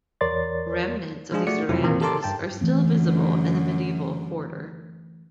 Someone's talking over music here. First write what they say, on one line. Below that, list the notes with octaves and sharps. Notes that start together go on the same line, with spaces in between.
Remnants of these verandas are still visible in the medieval quarter.
E2 A#4 C#5 D5 C6 A6
F3 G#3 D4 F4 G#4
A3 F#4 D5 C#7
F2 C3 F3 F#3 E4
A#2 D#3 E3 A#3 C4
G4 A4 A#4 A5 C6 D6
G2 G5 A5
F#2 D3 E3 A3 C4